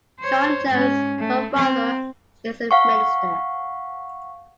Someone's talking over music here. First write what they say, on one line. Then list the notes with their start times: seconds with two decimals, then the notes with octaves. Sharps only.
Shawn Jones, her father, is a minister.
0.20 C5 C#5
0.69 G#2 C#4
1.20 A3
1.54 C4
2.71 F5 F#5 C#6